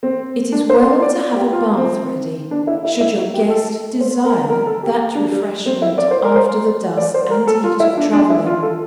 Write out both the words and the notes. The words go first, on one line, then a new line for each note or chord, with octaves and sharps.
It is well to have a bath ready, should your guest desire that refreshment after the dust and heat of traveling.
C4
D4
C5
C5
D5
G4
F4
C4
D4
E4
E4
E4
E4
G4
A4
C5
A#4
A#4
A4
G4
D4
G3
C4
E4
D5
C5
A#4
C5
D5
C5
A#4
A4
F4
E4
D4
D4
E4
F4
A4